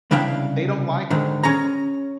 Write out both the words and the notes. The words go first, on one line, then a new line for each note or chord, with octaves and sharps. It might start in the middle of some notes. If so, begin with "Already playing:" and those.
But, they don't like it,
C2 C#3 D4 E4 F5 G5
G#2 D3 D#3
C#4 G#4 A#5